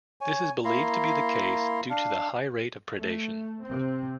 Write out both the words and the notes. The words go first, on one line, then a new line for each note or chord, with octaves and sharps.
This is believed to be the case due to the high rate of predation.
C#5 G#5
A#3 E4 A#5 C6
D4 F5
A3
C3 C4